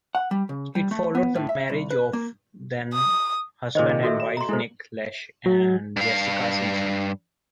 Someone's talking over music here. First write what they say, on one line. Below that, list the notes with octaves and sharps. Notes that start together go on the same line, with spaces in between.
It followed the marriage of then husband and wife Nick Lachey and Jessica Simpson.
F#5
G3
C#3
G3
A3
B3
A2
E5
C2
B4
A#3
D#6
A#2 D#3 G#4 C5 D#5
G#4
F#4 A4 E5
E7
A#5 C6
G#3 E4 A4 C5
F#3
G2 F5